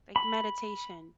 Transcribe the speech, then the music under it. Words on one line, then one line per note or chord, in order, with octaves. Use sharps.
Like meditation.
B5